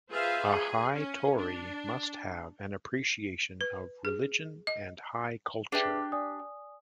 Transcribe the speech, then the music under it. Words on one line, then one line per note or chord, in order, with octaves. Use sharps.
A "High Tory" must have an appreciation of religion and high culture.
F4 G#4 B4 C5 E5 F5
G#4
C#4
D4
B4
G#4
D#5
D4 G4 G#4 B4 E5
D5 G#5 D#6